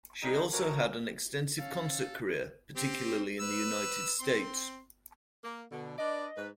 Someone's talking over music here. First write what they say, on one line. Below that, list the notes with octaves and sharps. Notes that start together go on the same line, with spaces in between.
She also had an extensive concert career, particularly in the United States.
D3 G3 G#3 D#4
F#3 A3 C#4 D4 F#4 A#4
C#4 A4 F5
C4 G4
B4 E6
C4 C6
A#3
B2 D3
D4 B4 D5 D#5
G#2 B4